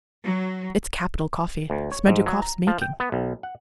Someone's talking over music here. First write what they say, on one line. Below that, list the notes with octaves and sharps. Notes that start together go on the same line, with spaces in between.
It's capital coffee: Smerdyakov's making.
F#3
D2
C#5
G#2
F#3
A#5
F3
G5
B3
B1
F#5